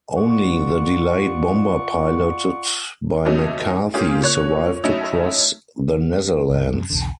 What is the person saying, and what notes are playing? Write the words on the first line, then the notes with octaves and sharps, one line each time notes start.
Only the delayed bomber piloted by McCarthy survived to cross the Netherlands.
F4 D5 F#5 C#6
B2 E3 F#3 A3 C#4 D#4
A#3 C#4 F4 G4 G#4
A#2 C#5 F#6
F#3 A3 C#4 D#4 E4
C#2 G2
F#2 C3
B1 E2 D3